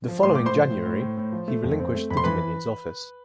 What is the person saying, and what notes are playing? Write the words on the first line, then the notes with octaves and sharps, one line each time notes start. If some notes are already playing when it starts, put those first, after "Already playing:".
The following January, he relinquished the Dominions Office.
F3
A2 C6
A2 D6
C5 C6
F3
A2
A2
A2
A2
F3
A3
F2
C4
A3
F2 B5
C6
E3 B4 B5